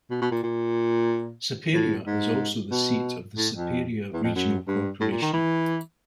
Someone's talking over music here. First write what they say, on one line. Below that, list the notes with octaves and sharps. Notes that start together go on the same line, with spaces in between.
Siparia is also the seat of the Siparia Regional Corporation.
B2
B2
A#2
A#2
A2
G#2
B2
A2
F2
E2
F2
F#2
G2
A2
A#2
D#3
E3